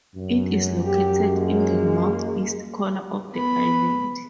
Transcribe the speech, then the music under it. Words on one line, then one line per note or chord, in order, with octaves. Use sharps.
It is located in the north-east corner of the island.
F#2
G4
G#3 A#3
B3 B5